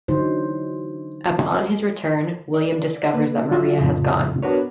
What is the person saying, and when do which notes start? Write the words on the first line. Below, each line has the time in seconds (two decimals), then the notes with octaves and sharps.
Upon his return William discovers that Maria has gone.
0.08 D3 E3 F#3 D#4 C5
2.54 D5
3.14 A#3 B4
3.51 F#3 F4 F#4 E5
3.77 F2 A2 C#3 F3
4.43 B3 D4 F#4 A#4 B4 C#5